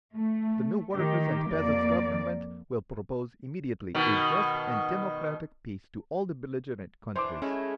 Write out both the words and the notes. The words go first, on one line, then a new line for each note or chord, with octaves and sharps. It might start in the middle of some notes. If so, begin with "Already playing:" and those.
The new Workers' and Peasants' Government will propose immediately a just and democratic peace to all the belligerent countries.
A3
D#3 G4
F2 A#3 D5
B2 D#3
E3 D4 C5 C6 D6
G#3 A3 C#4 E4